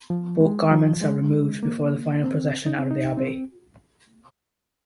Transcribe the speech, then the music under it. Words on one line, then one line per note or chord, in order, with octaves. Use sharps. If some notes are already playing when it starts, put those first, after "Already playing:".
Both garments are removed before the final procession out of the abbey.
F3
G#3
F3
G#3
A#3
C4
D#4
C4
D#4
C4